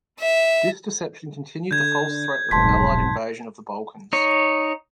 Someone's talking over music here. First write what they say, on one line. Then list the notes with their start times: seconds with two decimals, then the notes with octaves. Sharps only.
This deception continued the false threat of an Allied invasion of the Balkans.
0.20 E5
1.71 D3 G6 G#6
2.51 D#1 B1 F2 G#2 A5 C6 B6
4.13 D#4 C#5